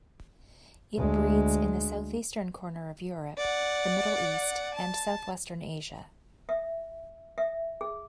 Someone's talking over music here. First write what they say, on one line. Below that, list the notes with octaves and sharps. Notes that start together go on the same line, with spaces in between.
It breeds in the southeastern corner of Europe, the Middle East and southwestern Asia.
D2 G#3
D5 F#5
A5
E5
E5
G#4